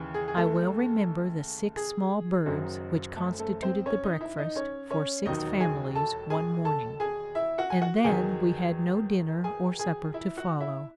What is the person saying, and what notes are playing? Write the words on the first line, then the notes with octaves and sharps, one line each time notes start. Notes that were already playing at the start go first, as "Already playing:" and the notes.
I well remember the six small birds which constituted the breakfast for six families one morning; and then we had no dinner or supper to follow!
Already playing: D#2 C#3 E3
G#4
G#4
A3 A4
G#4
F#1 F#2 D#3 F#3
A3 A4
A3 A4
C4 C5
C#4 C#5
D#4 D#5
E4 E5
D#4 D#5
C#4 C#5
C#4 C#5
E1 D#2 D#3 F#3 D#4 D#5
G#4 G#5
A4 A5
G#4 G#5
A4 A5
G#4 G#5
E4 E5
F#4 F#5
G#5
F#4 F#5
E2 D#3 F#3 G#4 G#5
G#4 G#5
G#4 G#5
E4 E5
F#4 F#5
E4 E5